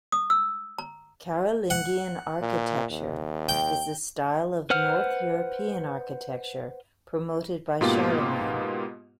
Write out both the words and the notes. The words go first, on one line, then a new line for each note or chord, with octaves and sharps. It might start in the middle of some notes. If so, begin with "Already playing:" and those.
Carolingian architecture is the style of North European architecture promoted by Charlemagne.
D#6
E6
A#5
F#5
A#2
D#2
G5
B4 C5 F#5 F6
G#2 B2 A#3 B3 F4 G4